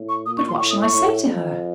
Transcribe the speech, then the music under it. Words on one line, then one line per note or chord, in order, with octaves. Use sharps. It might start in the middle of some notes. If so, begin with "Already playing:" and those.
"But what shall I say to her?"
Already playing: A2
C#6
A#2 D#6
C#6
C6
A2 C#6
D#6
C#6
A2
F2